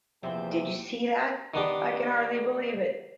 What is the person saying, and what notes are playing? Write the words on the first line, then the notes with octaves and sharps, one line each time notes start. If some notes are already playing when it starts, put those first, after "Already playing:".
Did you see that? I can hardly believe it!
E2 C3 F3 A#3 C5 E5
D#3 B3 D4 G4